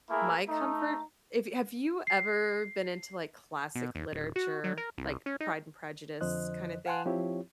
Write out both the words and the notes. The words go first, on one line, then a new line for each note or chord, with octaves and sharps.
my comfort, if y have you ever been into, like, classic literature, like Pride and Prejudice kinda thing?
A3 A#3 E4 G#4 A#4
A3 D#4
C7
B2
D#2
D1
F#4
F#3
A#4
C2
C#4
D#4
F2 D3 F3 C5 D#5 F#6
F5 F#5 G#5 A5 C6 F#6
F3 C4 E4 F4 G4 C#5